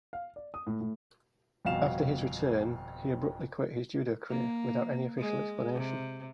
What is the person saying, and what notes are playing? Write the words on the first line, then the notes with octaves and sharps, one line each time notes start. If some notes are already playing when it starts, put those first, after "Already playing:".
After his return, he abruptly quit his judo career without any official explanation.
F5
D5
D#6
A2
A2
G1 F2 B2 F5 E7
A#3
G#3
C3